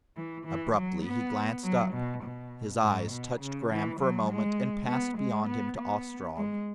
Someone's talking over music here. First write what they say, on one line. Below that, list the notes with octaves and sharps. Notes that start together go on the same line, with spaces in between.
Abruptly he glanced up, his eyes touched Graham for a moment, and passed beyond him to Ostrog.
E3
E3
F#3
B3
F#3
B2
B2
G#2
B2
C#3
E3
F#3
G#3
B3
G#3
B3
B3
G#3